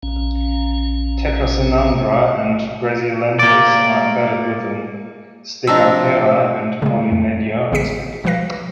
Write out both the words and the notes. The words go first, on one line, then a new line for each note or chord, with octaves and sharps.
"Tetrasynandra" and "Grazielanthus" are embedded within "Steganthera" and "Mollinedia", respectively.
A#1 C#4
A#3 D5
F3 C4 D4 A#4 D#5 E6
C#3 G#3
F2
A1 C#3 B3 G#4 B6 C#7
B2 F3 G3 B4 F5 A#6